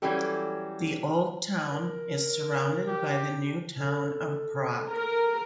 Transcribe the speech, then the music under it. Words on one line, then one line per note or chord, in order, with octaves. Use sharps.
The Old Town is surrounded by the New Town of Prague.
E3 F#3 G3 C#4 G4 A4
A#4
G4
A4
A#4